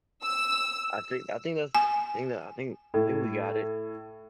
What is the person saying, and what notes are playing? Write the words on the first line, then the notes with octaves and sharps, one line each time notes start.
I think I think that's I think that I think think we got it.
E6
G#5
A2